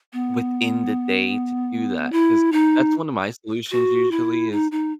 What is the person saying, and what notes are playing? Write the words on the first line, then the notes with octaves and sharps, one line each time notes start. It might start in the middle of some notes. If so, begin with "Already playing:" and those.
within the day to do that, 'cause that's one of my solutions usually is
B3
E4
D#4
F#4
E4
D#4
D#4